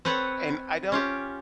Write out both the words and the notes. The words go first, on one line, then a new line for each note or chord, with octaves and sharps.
and I don't
C4 A4 B4 C#5 F#5
C#4 F4 G4